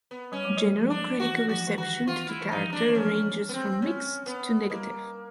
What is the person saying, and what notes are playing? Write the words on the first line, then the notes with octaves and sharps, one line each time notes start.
General critical reception to the character ranges from mixed to negative.
B3
G3 C#4
F#3
G3
F3
D4
E3 F#4
F3 F#4
E3
D#3 F#4
E3 F4
E4
E3
F3 D#4
D4
E3
F3 C#4
B3
C4
C#4
B3
G3 A#3